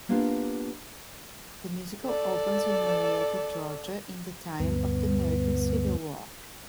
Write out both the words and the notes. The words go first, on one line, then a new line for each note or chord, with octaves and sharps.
The musical opens in Marietta, Georgia, in the time of the American Civil War.
A#3 B3 D4 F4 G4 B4
A4 D5
D2 G2 B3